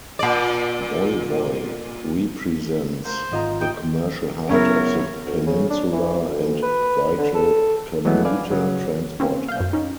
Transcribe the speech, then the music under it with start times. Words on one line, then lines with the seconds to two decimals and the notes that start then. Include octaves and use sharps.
Woy Woy represents the commercial heart of the Peninsula and vital commuter transport hub.
0.19 A#2 D5
3.05 A#3 C5
3.32 G#1 B3 F4 D#5 A#5
3.61 D#4 E4 D#5 G5
4.50 F#2 C#3 B3 C#4 E4 A#4 C#5
5.25 D2
5.46 C#3
5.70 D4
5.92 E3
6.28 D2
6.62 B4
7.18 D3
7.35 A4
8.05 E3 F#3 G#3 A3 B3
8.25 B4 D5 F5 G#5
8.51 C#3 F#3
9.20 A#3 C4 C#4
9.48 F5 G6
9.60 F#2
9.73 C#4 D#4